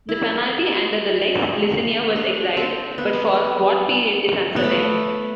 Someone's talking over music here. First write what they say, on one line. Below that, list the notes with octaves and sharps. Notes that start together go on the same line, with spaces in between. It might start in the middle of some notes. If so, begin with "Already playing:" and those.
The penalty under the Lex Licinia was exile, but for what period is uncertain.
E4
D4
C4
B3
B3
A3